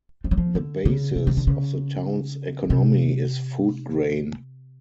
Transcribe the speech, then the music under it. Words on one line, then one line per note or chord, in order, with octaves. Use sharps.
The basis of the town's economy is food grain.
F3
F#3
F3
D3
C#3
C3
D#3
D3
C#3
C3